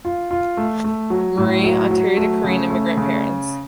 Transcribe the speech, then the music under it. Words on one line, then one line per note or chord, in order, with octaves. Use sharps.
Marie, Ontario to Korean immigrant parents.
F4
F4
A3
A3
F#3
A2
F#3
F#3
A3
C#3
A3
C#3